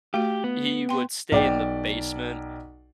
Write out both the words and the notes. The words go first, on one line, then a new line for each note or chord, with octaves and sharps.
he would stay in the basement
A3 F#4 G4
B3
G5 C6
B1 D5 G5